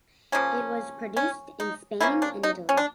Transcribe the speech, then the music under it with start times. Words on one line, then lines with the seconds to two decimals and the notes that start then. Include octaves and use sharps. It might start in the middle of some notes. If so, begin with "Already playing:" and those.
It was produced in Spain and Italy.
0.32 C#3 F3 A#3 C#4
1.17 C#4
1.60 D#4
2.01 F3 A#3 C#4 E4
2.22 D4
2.43 D#4
2.69 C#4
2.77 D4